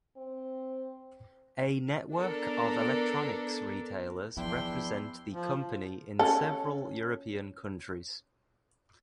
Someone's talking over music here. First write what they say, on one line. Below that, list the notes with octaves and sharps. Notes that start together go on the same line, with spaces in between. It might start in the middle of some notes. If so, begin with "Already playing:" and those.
A network of electronics retailers represent the company in several European countries.
C4
B3 D4 A4 A#4
E2 F3 D4 E4 E5 G5 C6
F3
C#4 A4